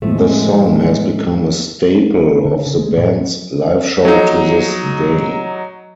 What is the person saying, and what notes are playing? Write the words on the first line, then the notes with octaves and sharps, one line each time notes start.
The song has become a staple of the band's live show to this day.
A2 F3 G#3 A3
D3
C#3
G#3
A2
F#3 D#4